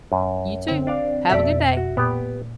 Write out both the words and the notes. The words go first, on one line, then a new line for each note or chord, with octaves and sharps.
You too, have a good day.
F#2
D3 C4
D4 D5 F5
F2 B2 A4 D5 E5
F#4
A#2 B3 G4